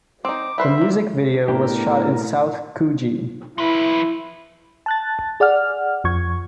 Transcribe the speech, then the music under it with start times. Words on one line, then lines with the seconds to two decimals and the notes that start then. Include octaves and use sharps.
The music video was shot in South Coogee.
0.25 C4 D#4 D6
0.58 G3 B4 C5 E5
0.78 A#3 C4
1.48 A2 B3 D4 G4 A#4
3.58 F3 E4 B4
4.86 A5 F#6 A6
5.40 G#4 D5 F#5 F6
6.04 F2 F3 C#6 G#6